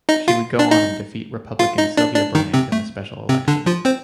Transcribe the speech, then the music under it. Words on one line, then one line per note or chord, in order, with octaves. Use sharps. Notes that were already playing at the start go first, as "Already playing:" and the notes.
She would go on and defeat Republican Sylvia Bryant in the special election.
D#4 D#5
F4 F5
D4 D5
D#4 D#5
F4 F5
D#4 D#5
D4 D5
D4 D5
D#3 D#4
C3 C4
A3
C3 C4
D3 D4
F3 F4
C4 C5